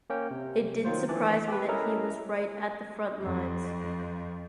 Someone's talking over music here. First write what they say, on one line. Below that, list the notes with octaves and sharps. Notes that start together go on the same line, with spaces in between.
It didn't surprise me that he was right at the front lines.
A#3 C#4 G5
C3
D#3 F#3 F4 C5
E3 D4 D5
G4 B4
C#4 E4 A4 A#4 D#5 A#5
F2